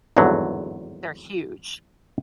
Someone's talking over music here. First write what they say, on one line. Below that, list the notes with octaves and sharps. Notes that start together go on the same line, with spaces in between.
They're huge.
G#1 E2 G2 D3 F#3